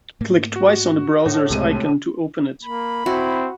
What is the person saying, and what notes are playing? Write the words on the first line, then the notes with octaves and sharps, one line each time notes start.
Click twice on the browser's icon to open it.
G#2 A3 A#3
F#4
A2
C#2 C3 G#3 D#7
A#3 B5
C4 E4 F#4